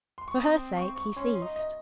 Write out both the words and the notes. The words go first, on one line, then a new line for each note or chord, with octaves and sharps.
For her sake he ceased.
C6
C#6
C4 D#6
C#6
C#6
C#4 C6
C6
D#4
D#5